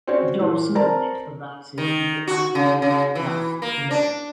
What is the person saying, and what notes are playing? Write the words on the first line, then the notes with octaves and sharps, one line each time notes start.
The Dobson Unit arises from the ideal gas law.
C4 C#4 F#4 C#5 D5
A#2 E3
C4 A#4 D5 A5 A#5
D#3
F#4
C#3
C#3
E3
A#3
D4